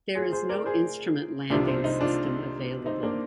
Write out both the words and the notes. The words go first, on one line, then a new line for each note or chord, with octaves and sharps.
There is no instrument landing system available.
F4 G#4
G#4 C5
A#4 D5
G#4 C5
C2 C3 F3 D4 F4
C4
C4 D#4
D4 F4
C4 D#4
A#3 D4